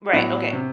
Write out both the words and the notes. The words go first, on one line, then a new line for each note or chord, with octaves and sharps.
Right, okay.
A2 F#3 B3 D4 F#4
C3